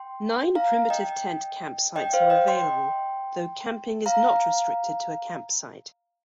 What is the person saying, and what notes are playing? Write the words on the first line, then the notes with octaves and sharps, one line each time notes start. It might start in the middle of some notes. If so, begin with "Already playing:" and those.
Nine primitive tent campsites are available though camping is not restricted to a campsite.
Already playing: G5 C6
F5 A#5
D#5 G5
D#5 G5
C5 F5
D#5 G5
G5 C6
F5 A#5